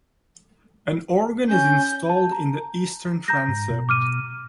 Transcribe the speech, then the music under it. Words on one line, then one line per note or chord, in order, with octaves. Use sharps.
An organ is installed in the eastern transept.
C#4 G6
A5
A#5
A#5 G6 A#6
G#2
B2
D6 F6 D#7